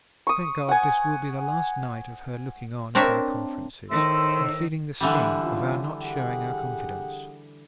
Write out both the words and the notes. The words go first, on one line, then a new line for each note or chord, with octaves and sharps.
Thank God, this will be the last night of her looking on at our conferences, and feeling the sting of our not showing our confidence.
C#6 D#6
F#5 G#5
C4 D4 A#4 C5 C#5 E5
A2 D#3 C5 C6 E6
D3 E3 G3
C#4 F4
G4 G#4 F#5